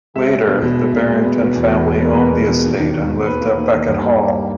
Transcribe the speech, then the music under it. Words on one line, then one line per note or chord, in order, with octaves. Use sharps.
Later the Barrington family owned the estate and lived at Beckett Hall.
G#3 E5
G#3
B2
B2
G#3
B2
G#3
B3
B2
E2
E2
G#3
B3 A#4
B4
B2 A#4
G#3
B2
D#2
D#3
D#2
D#2
D#2 B4
A#3
D#2
D#2
G2
A#3
A#3